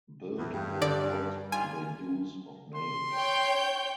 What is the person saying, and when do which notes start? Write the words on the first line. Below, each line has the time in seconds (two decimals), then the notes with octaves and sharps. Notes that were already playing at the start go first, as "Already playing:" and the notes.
Built without the use of nails.
0.38 E2
0.53 G2
0.82 D3 D5
1.52 D#3 G3 F4 G#5
2.76 C6
3.14 C#5 G5 G6